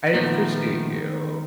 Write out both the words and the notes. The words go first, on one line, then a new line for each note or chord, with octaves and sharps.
I appreciate you.
A#2 D#3 F3 A3 B3 A#4